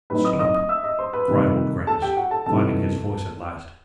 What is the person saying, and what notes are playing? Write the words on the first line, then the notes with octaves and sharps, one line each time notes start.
"Stop," cried Old Grannis, finding his voice at last.
A2 F#3 C4 D#4 B4 B5
D#5 D#6
D#5 D#6
D#5 D#6
E5 E6
D#5 D#6
C5 C6
B4 B5
C3 D#3 G3 D#4
A4 A5
G4 G5
F#4 F#5
A4 A5
C3 E3 G3 B3 D#4 A4 A5